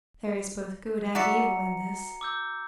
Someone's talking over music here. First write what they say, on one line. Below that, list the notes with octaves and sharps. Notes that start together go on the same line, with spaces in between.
There is both good and evil in this.
F#4 D5 E5 A#5 C#7
D6 E6 G6